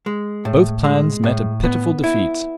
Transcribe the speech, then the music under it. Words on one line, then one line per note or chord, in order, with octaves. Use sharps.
Both plans met a pitiful defeat.
G#3
A2
G#3
A2
B3
E4